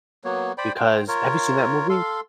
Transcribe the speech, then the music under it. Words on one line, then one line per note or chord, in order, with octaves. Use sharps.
because have you seen that movie?
F#3 A#3 B3 C#5
C5 D5 G5 B5
C5 G5
F4 A#4 C#5
A4 F5 C6